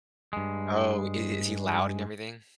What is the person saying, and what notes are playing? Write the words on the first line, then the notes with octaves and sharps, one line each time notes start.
Oh, i is he loud and everything?
G2 G#3